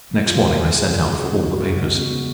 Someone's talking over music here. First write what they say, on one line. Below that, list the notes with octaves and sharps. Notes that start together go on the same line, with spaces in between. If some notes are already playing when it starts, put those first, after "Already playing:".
Next morning I sent out for all the papers.
F#3
F4
G#3
C#3
G#4
F#3
G#3
F#4
F#4
G#3
C#3
B3
B3